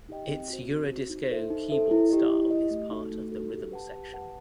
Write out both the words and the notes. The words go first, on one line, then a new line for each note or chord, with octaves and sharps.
Its Eurodisco keyboard style is part of the rhythm section.
D#4 G4 D#5 G5
C4
F#4 C5
C4
F#4 C5
D#4
A4 C5 E5
D#4
A4 C5 E5
E4
G4 D#5
E4
G4 D#5
A3
D#4 F#4 A4
A3
D#4 F#4 A4
G4
B4 F#5 A5
G4
B4 F#5 A5